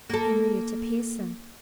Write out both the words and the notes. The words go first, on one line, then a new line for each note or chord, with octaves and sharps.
"Henrietta Pierson."
A#3 A4